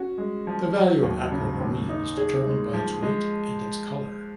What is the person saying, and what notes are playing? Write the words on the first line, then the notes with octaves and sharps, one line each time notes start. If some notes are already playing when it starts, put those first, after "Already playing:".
The value of aquamarine is determined by its weight and its color.
Already playing: C#4 F#4
G#3
F3
F#3
D#2
C#3
D#2
D#4
G#4
G#3
F3
G#3